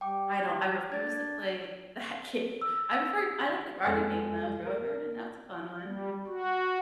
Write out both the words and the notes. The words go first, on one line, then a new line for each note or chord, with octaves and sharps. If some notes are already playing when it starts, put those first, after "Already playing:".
I don't I refuse to play that game. I prefered I like the garden game, though, Grow a Garden. That's a fun one.
G3 G5 D6
D4 G#6 A6
E6
F2 G#3 A4 G#5
A#4
G3
F#4